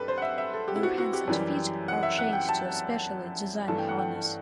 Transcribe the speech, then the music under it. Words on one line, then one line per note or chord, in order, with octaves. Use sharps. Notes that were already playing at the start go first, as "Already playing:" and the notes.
Their hands and feet are chained to a specially designed harness.
Already playing: G2 F#3 A3 G4 A4 B4
C5
F#5
E5
E5
A4
G4
E4
F#4
F#4
G4
F#2 E3 G3
F#5
E5
F#5
G5
A5
G2 E3 A3 A5
G5
F#5
G5